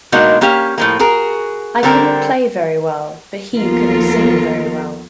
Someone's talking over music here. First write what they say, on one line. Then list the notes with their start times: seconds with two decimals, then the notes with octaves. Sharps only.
I couldn't play very well, but he couldn't sing very well.
0.12 B2 G#3 A#3 D4 D#4 F#4
0.41 A#3 C#4 G4 F5
0.78 A2 F3 A#3
0.99 F#4 G#4 A#4
1.83 D3 G3 C4 A4 A#4
3.55 D#2 F3 B3 F4 A4 A#4